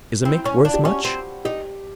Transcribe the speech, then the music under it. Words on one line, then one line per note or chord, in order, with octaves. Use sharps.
"Is a mink worth much?"
C4 E4
C#4
F4
D4
G4
C#4 F#4
C4
D#4 G4